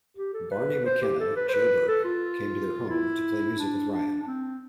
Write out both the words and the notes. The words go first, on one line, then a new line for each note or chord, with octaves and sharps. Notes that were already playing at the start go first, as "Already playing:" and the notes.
Barney Mc Kenna, Joe Burke came to their home to play music with Ryan.
G4
A4
B4
C5
G4
A4
B4
C5
B4
A4
F4
E4
D4
D4
D4
C4